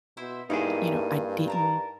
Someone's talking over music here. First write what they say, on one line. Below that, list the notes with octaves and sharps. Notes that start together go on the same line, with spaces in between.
you know, I didn't
B2 E4 C5 E5
G2 A#3 D#4 E4 G#4 F5
A#4 A5 A#5